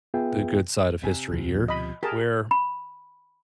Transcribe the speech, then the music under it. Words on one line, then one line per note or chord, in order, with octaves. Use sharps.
the good side of history here, where
B3 F4 G#4 B4 E5 G5
C3 G#5
D2 B2 F3
D#5 B5
G4 G#4 A#4 A5
B5